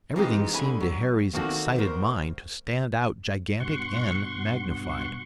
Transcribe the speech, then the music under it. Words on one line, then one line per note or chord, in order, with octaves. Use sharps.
Everything seemed to Harry's excited mind to stand out gigantic and magnified.
E3 F3 G#3 C4 D#4 G4
B2 D3 G#5 B5
F#3
D#3 A#3 C4 F#4 A4
D2 A#4 C5
G2 B2 F#5 C6 C#6